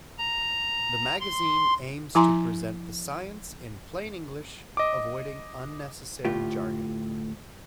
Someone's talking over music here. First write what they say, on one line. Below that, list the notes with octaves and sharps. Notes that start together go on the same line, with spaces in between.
The magazine aims to present the science in plain English, avoiding unnecessary jargon.
A#5
C6
F3 E4 G#5 A#5 C6
D#5 D6
D2 A2 F4 G4